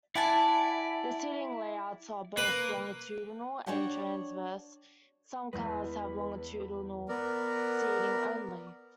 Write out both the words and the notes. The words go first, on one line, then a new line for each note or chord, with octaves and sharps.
The seating layouts are both longitudinal and transverse; some cars have longitudinal seating only.
E4 D5 F#5 G#5 A5
A#3 B4
D4 F#4 C#5 D5 F#5 G5
E2 G#3 B4
B3 A#4 D5